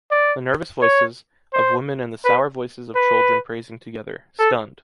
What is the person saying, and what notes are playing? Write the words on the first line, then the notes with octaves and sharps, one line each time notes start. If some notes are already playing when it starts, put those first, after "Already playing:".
The nervous voices, of women and the sour voice of children praising together, stunned.
D5
C#5
C5
B4
B4
A4